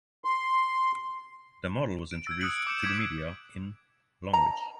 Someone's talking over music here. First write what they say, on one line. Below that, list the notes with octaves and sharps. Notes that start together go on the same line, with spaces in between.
The model was introduced to the media in Longreach.
C6
D7
E6 G#6
D#6 E6 F#6 C#7 D7 F#7
D6 G6 C#7 E7
D6 G#6 B6 D7
A#5